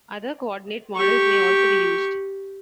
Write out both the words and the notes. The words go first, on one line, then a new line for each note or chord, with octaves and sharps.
Other coordinate models may also be used.
G4 C#6